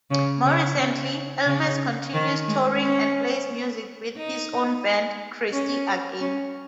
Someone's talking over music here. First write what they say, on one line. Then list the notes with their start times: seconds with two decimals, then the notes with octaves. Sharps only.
More recently, Elmes continues touring and plays music with his own band, Christie Again.
0.11 C#3
0.45 C#3
0.78 C#3
1.46 C#3
2.14 D#3
2.48 G#3
2.81 C#4
4.17 D#4
5.52 C#4
6.21 C#4